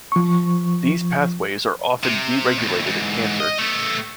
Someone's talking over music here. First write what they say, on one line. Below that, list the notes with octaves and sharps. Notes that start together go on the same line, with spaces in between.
These pathways are often deregulated in cancer.
F3 C#6
C3
D#2 A2
G#2 E3
D#5
A3 B3